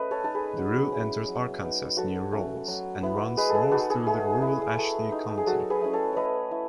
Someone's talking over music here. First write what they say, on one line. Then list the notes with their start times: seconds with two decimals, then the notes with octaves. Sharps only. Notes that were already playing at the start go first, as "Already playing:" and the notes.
The route enters Arkansas near Rawls and runs north through rural Ashley County.
Already playing: A3 C#4 B4 D#5
0.11 A4 C#5
0.23 D#4 A4
0.35 G#4 B4
0.57 F#3
0.92 C#4 E4
1.28 F#3
1.63 B3 D#4
1.97 F#3 F#4 A4
2.32 A3 C#4
2.68 F#3
3.03 B3 E4
3.37 G#3 G#4 B4
3.50 G#4 A4 B4
3.71 B3 D#4 F#4 A4
3.90 G#4
4.06 A3 G#4
4.42 E4
4.77 A3
5.12 D#4
5.37 G#4
5.47 F#3 F#4 A4
5.70 G#4 B4
5.81 A3 C#4 E4
5.93 A4 C#5
6.13 A3 B4 C#5 D#5
6.51 E4